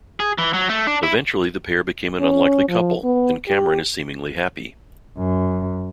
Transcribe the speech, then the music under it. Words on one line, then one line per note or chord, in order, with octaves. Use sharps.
Eventually the pair become an unlikely couple, and Cameron is seemingly happy.
G#4
E3
F#3
A3
D4
E4
C#4
F3
B3
G4
F#2